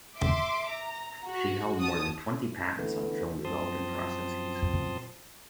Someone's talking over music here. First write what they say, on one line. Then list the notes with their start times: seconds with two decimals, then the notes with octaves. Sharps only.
She held more than twenty patents on film developing processes.
0.15 E5 C6 D6
0.66 A#5
1.26 F#4
1.79 A5 D#6
2.79 D3 E3 A3 B3
3.45 F#2 F3 C4 A5 C6 D#6